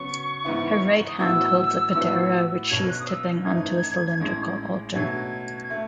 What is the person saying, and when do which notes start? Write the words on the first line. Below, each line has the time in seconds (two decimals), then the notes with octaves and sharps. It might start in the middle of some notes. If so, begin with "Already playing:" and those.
Her right hand holds a patera which she is tipping onto a cylindrical altar.
Already playing: C#3 F#3 B3 C#6
0.44 G#2 E3 B3 E4
0.94 C#6
1.07 D#6
1.19 A2 E3 B3 F#4 E6
1.94 A2 E3 B3 F#4
2.69 B1 B2 F#3 C#4 G#6
2.89 F#6
3.00 D#6
3.08 E6
3.44 G#1 F#2 E3 A3 D#4 G#6
4.20 A1 A2 G#3 C#4 G#4
4.95 B2 F#3 A3 G#6
5.12 G#6
5.29 G#6
5.45 G#6
5.63 G#6
5.70 A3